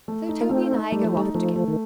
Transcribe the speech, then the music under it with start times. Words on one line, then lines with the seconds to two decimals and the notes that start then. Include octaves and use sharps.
So Toby and I go off together.
0.08 A3
0.29 D#4
0.41 A#3
0.49 A3 C4
0.71 D#4
0.92 G3 A3
1.05 F3
1.13 G3 D#4
1.35 F3 A3
1.56 A3
1.68 D#3